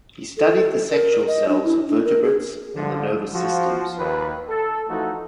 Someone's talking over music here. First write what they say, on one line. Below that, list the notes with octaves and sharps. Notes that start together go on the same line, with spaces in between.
He studied the sexual cells of vertebrates and the nervous systems.
A4
A#4
D#5
D4
E4
D4
A#4
G#4
D3 F3
F3 F#4
D#2 B4
A4
E3 F3 A3 D#4 F#4 A4